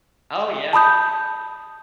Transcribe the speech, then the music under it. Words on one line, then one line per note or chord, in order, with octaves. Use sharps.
Oh, yeah.
A5 B5 D#6 G6